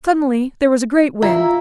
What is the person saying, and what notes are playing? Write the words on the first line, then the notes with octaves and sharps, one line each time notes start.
Suddenly there was a great wind.
E4 F4 A#5